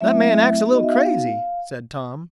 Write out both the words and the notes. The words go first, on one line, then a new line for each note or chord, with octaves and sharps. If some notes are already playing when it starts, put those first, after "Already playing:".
"That man acts a little crazy," said Tom.
F#3 A3 C4 E4 E5
B3 D#4 F#4
D#5
E5
F5